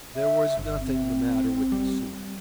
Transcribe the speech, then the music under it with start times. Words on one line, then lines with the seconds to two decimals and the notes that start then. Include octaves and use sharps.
There was nothing the matter with the soup.
0.16 E5
0.57 G1
0.80 C4
1.72 G3